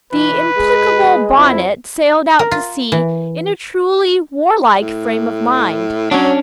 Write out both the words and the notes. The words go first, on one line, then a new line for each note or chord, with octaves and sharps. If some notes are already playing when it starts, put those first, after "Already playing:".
The implacable Bonnet sailed out to sea in a truly warlike frame of mind.
B2 E3 B4
G#3 G#4
F2 E4
A#4
F4
E3
A2
F#3 C#4 D4